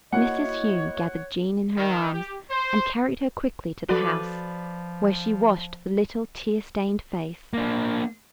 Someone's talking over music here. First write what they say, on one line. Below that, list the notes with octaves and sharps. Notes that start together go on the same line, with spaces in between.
Mrs. Hume gathered Jean in her arms and carried her quickly to the house, where she washed the little, tear-stained face.
A#3 E4 F#4 C#5 D#5 F#5
D#3
G4
C5
F3 F#4 A4 B4 D5
A#3 D4